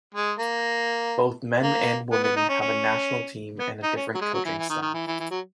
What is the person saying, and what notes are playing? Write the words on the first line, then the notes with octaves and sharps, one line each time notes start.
Both men and women have a national team and a different coaching staff.
G#3
A#3
A#3
B3
B3
D#4
C#4
C#4
B3
D#4
C#4
F#3
G#3
F#3
E3
E3
D#3
D#3
E3
E3
E3
F#3